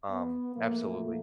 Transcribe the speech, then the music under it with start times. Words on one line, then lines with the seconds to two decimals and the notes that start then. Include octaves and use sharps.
um, absolutely.
0.10 B3
0.55 A#2 F3 A3 A#3